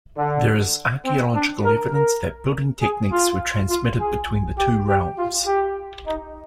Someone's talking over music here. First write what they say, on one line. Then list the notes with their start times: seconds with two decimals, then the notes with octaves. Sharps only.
There is archaeological evidence that building techniques were transmitted between the two realms.
0.17 D3
1.05 C4
1.34 D4
1.64 A#4
1.93 A#4
2.81 G#4
3.11 F4
3.70 F4
4.00 G#4
4.58 G4
4.88 G4
5.18 F4
5.46 G4
6.06 D#4